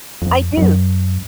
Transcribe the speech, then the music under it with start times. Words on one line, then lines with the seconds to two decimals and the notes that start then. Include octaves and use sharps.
I do.
0.22 F2
0.57 F#2